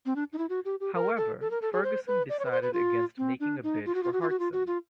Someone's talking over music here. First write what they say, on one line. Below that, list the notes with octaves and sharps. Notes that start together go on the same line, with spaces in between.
However, Ferguson decided against making a bid for Hartson.
C4
D4
D#4
E4
F#4
G4
G4
A#4
A4
A4
A#4
A4
G#4
C5
B4
D5
C#5
B4
C5
B4
F4
C4
D4
D#4
F4
F#4
F4
F#4
F4
F#4
F4
F#4
F4